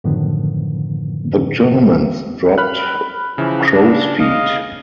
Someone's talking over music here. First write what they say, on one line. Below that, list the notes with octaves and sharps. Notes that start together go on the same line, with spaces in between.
The Germans dropped "crowsfeet".
F#2 A2 D3 D#3 F3 B3
B5 F6 F#6
C#3 E3 F3 E4
D4
D#5 F5